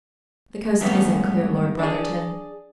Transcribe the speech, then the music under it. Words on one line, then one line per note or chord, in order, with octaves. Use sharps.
"The coast isn't clear, Lord Brotherton."
F2 G#2 G3 A3 B3 C#4
D4 G#4